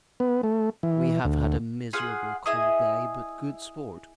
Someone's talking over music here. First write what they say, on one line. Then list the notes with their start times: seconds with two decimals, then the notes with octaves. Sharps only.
We have had a miserable cold day, but good sport.
0.20 B3
0.43 A3
0.83 E3
1.25 D2
1.93 F4 G#4 F5 F#5
2.46 E4 G#4 D#5 D#6